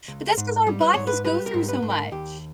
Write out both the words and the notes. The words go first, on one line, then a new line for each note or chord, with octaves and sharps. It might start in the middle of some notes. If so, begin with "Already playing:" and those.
but that's 'cause our bodies go through so much.
C#2
G#2
G3
B4
G#2 C#5
B4
G3 B4
A#4
G#2
B4
G#2
A#4
D#2 G4